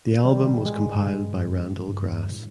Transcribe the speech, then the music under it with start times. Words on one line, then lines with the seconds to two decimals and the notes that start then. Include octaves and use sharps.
The album was compiled by Randall Grass.
0.24 D#3 G3
0.45 A#2
0.60 G#2
0.65 A2 G#3
0.85 G#2
1.06 G2
1.48 F#2
1.77 F#2
1.88 G2
2.29 A2